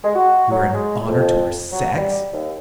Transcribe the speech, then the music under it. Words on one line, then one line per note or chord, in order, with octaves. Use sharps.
You are an honour to our sex!'
G#3
F#4
F#3
G#3
F2
F#3
G3
D#2